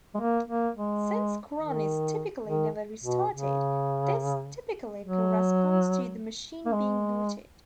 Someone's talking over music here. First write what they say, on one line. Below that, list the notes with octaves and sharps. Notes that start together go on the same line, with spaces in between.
Since cron is typically never restarted, this typically corresponds to the machine being booted.
G#3
A#3
A#3
G#3
D#3
D#3
B2
C#3
F#3
A#3
G#3